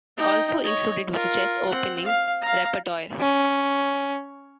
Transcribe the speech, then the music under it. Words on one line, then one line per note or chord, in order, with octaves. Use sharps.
Also included was a chess opening repertoire.
D#4 G5
C#5 D#5
F4 A#4
C4 F#5
F5
F5 A#5
C#4